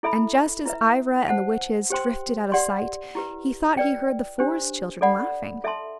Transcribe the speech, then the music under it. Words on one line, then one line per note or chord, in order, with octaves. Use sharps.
And just as Ivra and the Witches drifted out of sight, he thought he heard the Forest Children laughing.
E4 A4 E5 B5
E4 B4 E5
C5 F#5 A5
G4 C5 G5 C6
G4 D5 F#5 C6
E4 G4 B4
B4 D5 G5
D4 G4 C5
A4 D5 F#5 B5
A4 E5 A5 C6